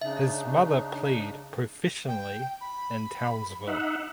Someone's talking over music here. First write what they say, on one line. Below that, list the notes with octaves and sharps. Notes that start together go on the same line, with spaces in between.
His mother played professionally in Townsville.
C#3 D4 D#4 E5
G5
B5
D#4 E5 F#5